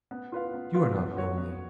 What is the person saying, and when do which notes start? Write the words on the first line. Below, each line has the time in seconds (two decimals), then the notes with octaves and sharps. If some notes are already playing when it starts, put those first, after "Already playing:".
You are not lonely.
0.11 B3
0.32 F4 B4 F5
0.54 B3
0.74 F4 B4 F5
0.95 B3
1.17 F#4 C#5
1.38 B3